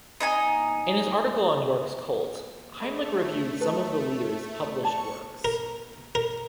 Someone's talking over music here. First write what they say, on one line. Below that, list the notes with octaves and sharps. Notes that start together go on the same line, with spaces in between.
In his article on York's cult, Heimlich reviewed some of the leader's published works.
D#4 D#5 G#5
A3 G#4 D#5 B5
G#4 A4 B4
C#5 D5 A5 C#6 C#7
A#4
A#4